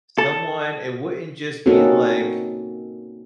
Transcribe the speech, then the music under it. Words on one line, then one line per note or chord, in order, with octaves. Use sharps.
Someone it wouldn't just be like,
A4
A#3 C4 C#4 D#4 F#4 A4